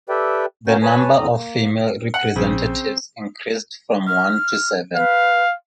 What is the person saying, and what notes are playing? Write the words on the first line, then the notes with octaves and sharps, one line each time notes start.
The number of female representatives increased from one to seven.
G4 A4 B4 D5 E5 G5
A#3 B3 C#4 F#4 A#4 G6
B4 C#5 G#5 A5
E2 A2 D3 C4 A#5 D#6
A#3
F#5
A#1 C#3 C4
F6
B4 F5